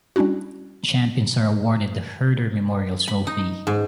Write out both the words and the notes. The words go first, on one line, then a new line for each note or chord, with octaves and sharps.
Champions are awarded the Herder Memorial Trophy.
G3 C#4 D4 E4 F#4
B5
D#4
G#2